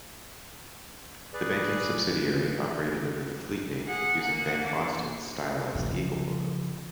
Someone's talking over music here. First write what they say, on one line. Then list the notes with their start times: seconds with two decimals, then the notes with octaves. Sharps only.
The banking subsidiary operated under the Fleet name, using BankBoston's stylized eagle logo.
1.33 G#4 B4 D5
3.86 G#4 F#5
4.20 A#3 F#5
4.62 D4
5.75 C#3 F3